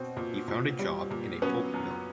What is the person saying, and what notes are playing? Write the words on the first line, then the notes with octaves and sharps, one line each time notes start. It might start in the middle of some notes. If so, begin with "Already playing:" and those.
He found a job in a pulp mill.
Already playing: B2 C4
A#2
A#2
G3
A#2
F#3 B3 C#4
F#2